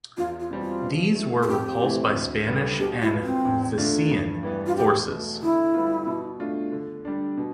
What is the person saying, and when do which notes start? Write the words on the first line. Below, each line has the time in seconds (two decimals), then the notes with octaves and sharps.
These were repulsed by Spanish and Visayan forces.
0.17 E2 F4
0.40 F4
0.51 B2 G3 C4
0.62 F4
0.83 B2
1.15 A3 E4
1.43 A4
1.48 F2 G4
1.82 E3 A3 C4 E4
2.14 D2
2.47 D3 G3 B3
2.79 B2 G4
3.01 E4
3.12 B3 F4
3.23 C4
3.45 E2
3.78 D3 A3 D4 F4
4.10 G2
4.43 E3 G3 B3
4.66 F4
4.76 E2 G4
5.08 B2 A3
5.41 D3 E4
5.74 G3 B3 F4
6.07 B2
6.40 A3 D4 F4
6.72 D3
7.05 G3 D4
7.37 B2